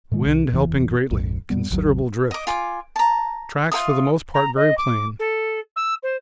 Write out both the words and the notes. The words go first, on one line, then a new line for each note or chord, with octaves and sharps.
Wind helping greatly, considerable drift; tracks for the most part very plain.
A2 D#3 G#3
C2
F#1 E2 C#3 E3
A#1 F2 G#2
F2 G3 B3
G#1 D#2 D#3 F#3
D#5 D6
F4 G#5 D6
A5 A#5
F4 A#4 E5 D#6
A#5
D#5
D6
A4
E6
C5